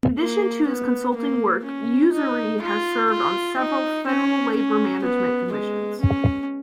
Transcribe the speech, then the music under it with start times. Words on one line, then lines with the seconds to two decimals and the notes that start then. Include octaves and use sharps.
In addition to his consulting work, Usery has served on several federal labor-management commissions.
0.19 A#3
0.68 B3
1.16 A#3
1.64 C#4
2.14 D#4
2.62 F4
3.10 F4
3.59 D#4
4.06 C#4
4.56 C#4
5.03 B3
5.52 G#3
6.01 C#4